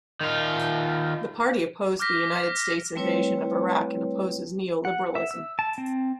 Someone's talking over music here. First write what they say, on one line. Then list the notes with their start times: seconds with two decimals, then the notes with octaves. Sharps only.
The party opposed the United States invasion of Iraq and opposes neoliberalism.
0.21 D#3 F4
1.99 D6 F6 G6 A#6 B6
2.95 G3 A3 C4 E4 B4 C#5
4.85 F#5
5.15 E5
5.31 E6
5.59 A5
5.78 C4